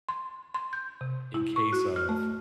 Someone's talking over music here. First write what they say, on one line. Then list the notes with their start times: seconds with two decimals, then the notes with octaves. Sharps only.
in case of
0.09 C6
0.54 C6
0.73 G6
1.01 C3
1.34 E4
1.56 C#6
1.73 F#4
1.96 F6
2.09 A3